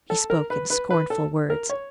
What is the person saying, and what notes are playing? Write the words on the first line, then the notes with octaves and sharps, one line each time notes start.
He spoke in scornful words.
A4
A#4
B4
B4
B4
A4
A#4
C#5